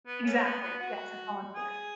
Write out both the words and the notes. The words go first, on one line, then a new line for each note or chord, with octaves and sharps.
Exactly, yes, it's voluntary,
B3
C#4
B3
B3
F#4
G#4